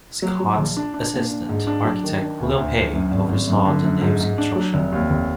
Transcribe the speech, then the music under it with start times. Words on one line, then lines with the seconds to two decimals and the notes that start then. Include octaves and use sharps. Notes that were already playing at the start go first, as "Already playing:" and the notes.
Scott's assistant, architect William Hay, oversaw the nave's construction.
0.22 F#3
0.40 F#3
0.58 A#1
0.77 D4
0.94 D4
1.13 A#2
1.31 D4
1.49 G#2
1.67 D4
1.84 F#3
2.03 D#3
2.22 D4
2.39 D2
2.58 D2
2.75 D2
2.93 F#2
3.11 G#1
3.29 G#1
3.47 F#2
3.65 D3
3.83 F#2
4.01 G#2
4.20 G#2
4.38 D4
4.56 F#3
4.74 F1
4.92 D#2
5.10 F1